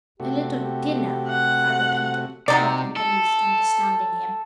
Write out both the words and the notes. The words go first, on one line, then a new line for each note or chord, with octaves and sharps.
"A little dinner?" I repeated, not in the least understanding him.
C3 A3 F#4 G4
G4
F#5
C3 F#3 D#4 D5
A4